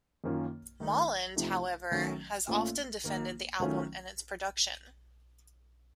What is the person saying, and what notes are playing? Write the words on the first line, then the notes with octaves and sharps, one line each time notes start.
Molland, however, has often defended the album and its production.
F#2 D#3 A#3 C#4 F4
D#3 A3 D#4
C3 F3 A3 D#4
D#3 F#3 A3 C#4
A#2 A3 C#4 F4
D#3 A#3 D#4
D#3 F#3 A3 C#4 F4